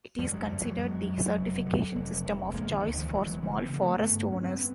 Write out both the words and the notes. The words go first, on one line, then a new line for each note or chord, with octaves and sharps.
It is considered the certification system of choice for small forest owners.
F#2 F3 G3
F#3 G#3
F#2 F3 G3
E3 F#3
F#2 F#3 G#3
F#2
F1
D3
F1
F1
E1 G#3 A#3
D3 E3
D2 D#3
D#3 F3
E1 E3 F#3
E3 F#3
C#3 F3 G3
C4
B3
D3 A#3
A3 B3
G2
G2 C#4
C4
B3